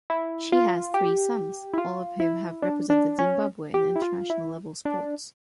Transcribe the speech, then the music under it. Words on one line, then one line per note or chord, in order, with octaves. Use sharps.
She has three sons, all of whom have represented Zimbabwe in international-level sports.
E4
F4
G4
E4
F4
E4
D4
D4
C#4
G4
E4
F4
E4
D4